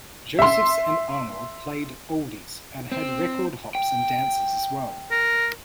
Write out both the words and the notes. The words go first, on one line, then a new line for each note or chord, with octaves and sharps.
Josephs and Arnold played "oldies" and had record hops and dances as well.
E5 C6
C4
G5
A#4